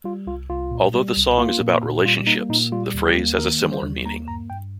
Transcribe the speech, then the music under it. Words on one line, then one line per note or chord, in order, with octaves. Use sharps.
Although the song is about relationships, the phrase has a similar meaning.
G3 F4
C2 F4
C2 F4
A#2
G3
C2
A#3 F4
A#2
A#2
G3 F4
A#3 D#4
A#2 D#4
G3 F4
D#2
G4
A#3
D#3 A#4
G3
C5
D#2
A#3 A#5
G2 A#5
G2 G5